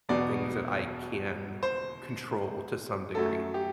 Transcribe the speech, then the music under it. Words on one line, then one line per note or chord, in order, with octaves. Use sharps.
things that I can control to some degree.
E1 E2 B2 F#3 B3 D5
C5
F#2 F#3 A3 A4
G4